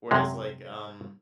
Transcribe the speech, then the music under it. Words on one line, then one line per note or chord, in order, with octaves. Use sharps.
Whereas, like, um,
F#2 C3 G#3